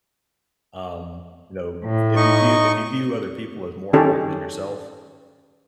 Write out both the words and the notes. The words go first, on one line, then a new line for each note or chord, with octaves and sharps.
um, you know, if you view if you view other people as more important than yourself,
A2
D#4 D#5 C#6
D#3 C#4 G4 A4